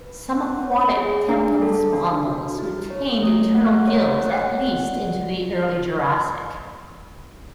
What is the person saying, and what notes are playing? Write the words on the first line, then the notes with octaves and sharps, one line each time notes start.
Some aquatic temnospondyls retained internal gills at least into the early Jurassic.
B4
F#5
C#5
G#4
D4
A4
D4
F#4
E4
C#5
A3
F#5
C#5
F#5
F#5
D5